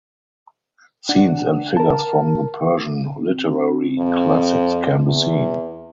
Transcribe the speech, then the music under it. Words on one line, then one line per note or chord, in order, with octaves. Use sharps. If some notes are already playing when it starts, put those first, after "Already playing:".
Scenes and figures from the Persian literary classics can be seen.
D4 F#5
A#4 A5
C4
F2
E2